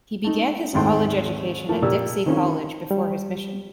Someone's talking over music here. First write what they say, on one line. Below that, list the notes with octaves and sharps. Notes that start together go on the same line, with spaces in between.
He began his college education at Dixie College before his mission.
A3 D#4
G#1 D#2 G#2 A3 G5 C6
F3 A3 A#3
A#2 G4 E6
D#3 C4 C#4 F4
G3